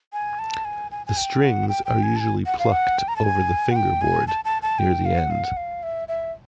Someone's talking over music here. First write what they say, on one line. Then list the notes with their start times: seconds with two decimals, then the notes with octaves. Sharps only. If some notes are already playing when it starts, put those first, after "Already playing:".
The strings are usually plucked over the fingerboard near the end.
0.13 G#5
0.39 A5
0.65 G#5
0.91 G#5
1.07 G#5
1.17 G5
1.42 F#5
1.69 G5
1.85 G5
2.03 G#5
2.16 A5
2.20 G#5
2.46 F#5
2.59 F5
2.72 F#5
2.98 G5
3.08 A#5
3.16 A5
3.24 G#5
3.71 F#5
3.76 G5
4.01 G#5
4.28 A5
4.45 A5
4.62 A5
4.79 G5
5.05 F5
5.18 F#5
5.31 F5
5.44 F#5
5.57 F5
5.83 E5
6.08 E5